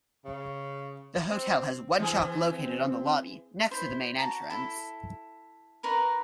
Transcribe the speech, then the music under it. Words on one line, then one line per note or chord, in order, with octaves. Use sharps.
The hotel has one shop located on the lobby next to the main entrance.
C#3
C4
E3 C4 G#4
E4 C5
F#4 A5 A#5
E4 A4
D#4 A#4 B4 C#6